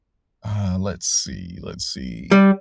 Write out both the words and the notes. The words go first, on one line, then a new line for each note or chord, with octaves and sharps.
Uh, let's see, let's see.
G3